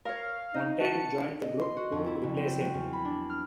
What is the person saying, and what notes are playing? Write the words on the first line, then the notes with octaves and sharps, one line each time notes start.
Montaigne joined the group to replace him.
A#4 C#5 F5
D#4 D#5
F#4 A5 C#7
D#5
C6
F#4
F2
E4
F#1
C4
F#3
E2
B5
D4
F6